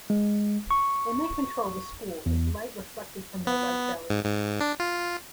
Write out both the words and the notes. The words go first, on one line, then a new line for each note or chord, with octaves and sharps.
They may control the school with light reflected from their white bellies.
G#3
C#6
E2
B3
G#2
G#2
D4
F4